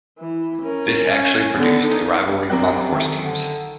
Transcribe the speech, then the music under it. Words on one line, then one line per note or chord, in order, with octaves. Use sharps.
This actually produced a rivalry among horse teams!
E3
C#4 A#4
C#4 G#5
D3 B3
D#4
F#2 C4 D4 G4 A#4 F#6
D#3 A4 E5
D3